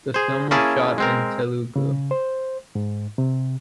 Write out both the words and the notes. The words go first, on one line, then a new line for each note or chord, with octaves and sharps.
The film was shot in Telugu.
G#4 C5
A#3 C#4 E4 G#4 A5
G#3 C4 A#4
C#3
C5
G#2
C3